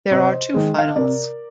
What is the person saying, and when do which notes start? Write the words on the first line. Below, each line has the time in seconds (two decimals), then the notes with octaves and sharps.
There are two finals.
0.11 C3 C5 D#5
0.54 D#3 G#3
0.78 F5
0.88 D#5
0.96 C3 A#4 D5